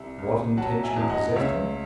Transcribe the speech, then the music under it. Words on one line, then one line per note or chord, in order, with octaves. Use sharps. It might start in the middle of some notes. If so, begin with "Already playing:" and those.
What intention possessed him?
Already playing: C2 E5
C2
F#3 F#5 A5
E5 G#5
E2
D#5 F#5
C#2 C#5 E5